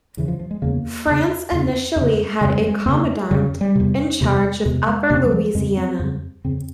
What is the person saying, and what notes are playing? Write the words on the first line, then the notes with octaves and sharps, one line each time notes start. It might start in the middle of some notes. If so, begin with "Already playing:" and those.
France initially had a commandant in charge of Upper Louisiana.
E2 C#3 E3
F3
F3
G#3
E2 C#3 A#3
E2 C#3
E2 C#3
F2
C#3
F2 C#3 G#3
G3
G#3
F2 C#3 A#3
F2 C#3 G3
G3
E2 C3
E2 C3
E2 C3
G#3
E2 C3 A#3
G3
F3
F2 C#3 G#3
C4
F2 C#3
F2 C#3 C4